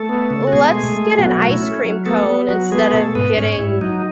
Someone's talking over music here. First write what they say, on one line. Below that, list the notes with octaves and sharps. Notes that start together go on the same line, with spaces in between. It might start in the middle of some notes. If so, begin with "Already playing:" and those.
"Let's get an ice cream cone instead of getting
Already playing: A3 A4
B3
C#3
F#4
B2 G#3 G#4
A3
A3
B2 F#3 F#4
A3
E4
C#4
F#3
A3 B3 A4
B3
F#3 F#4
G#3 B3 G#4
B2 A3 A4
G#2 B3 B4
G#2 C#4 C#5
G#2 E4
F#3 D#4